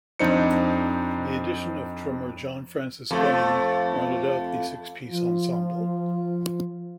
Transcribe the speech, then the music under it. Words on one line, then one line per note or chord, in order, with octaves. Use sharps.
The addition of drummer John Francis-Gunning rounded out the six-piece ensemble.
F2 D4 D#4 C5 C#7
F2 A3
F3 F4